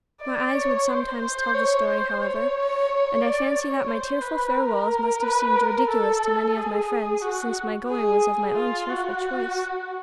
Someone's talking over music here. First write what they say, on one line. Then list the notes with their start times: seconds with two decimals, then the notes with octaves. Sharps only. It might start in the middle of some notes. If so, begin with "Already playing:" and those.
My eyes would sometimes tell the story, however, and I fancy that my tearful farewells must have seemed ridiculous to many of my friends, since my going was of my own cheerful choice.
0.21 D5
0.55 C#5
0.88 C5
1.21 C5
1.55 C#5
1.88 C5
2.21 C#5
3.22 D5
3.55 C#5
3.88 C5
4.22 B4
4.56 A#4
5.23 B4
5.56 A#4
5.89 A4
6.56 G#4
7.22 F#4
7.89 G#4
8.22 G#4
8.57 F4
8.90 F#4